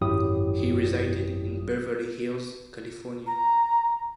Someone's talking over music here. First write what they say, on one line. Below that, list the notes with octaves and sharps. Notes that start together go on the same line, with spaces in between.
He resided in Beverly Hills, California.
G#1 F#2 F#3 E4 G4 D#6
A#5